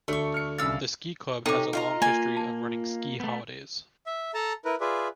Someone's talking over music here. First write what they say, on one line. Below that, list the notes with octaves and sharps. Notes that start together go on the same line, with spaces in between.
The Ski Club has a long history of running ski holidays.
D2 A3 C#6
F6 C#7
C2 C#3 F5 E6 A6
C3 C#4 D#4 A4 D6
F4 D#5 A#5
A#3 G#5
A5
A3 B3
E5
A4 A5 A#5
E4 A#4 B4
F4 G#4 B4 D5 E5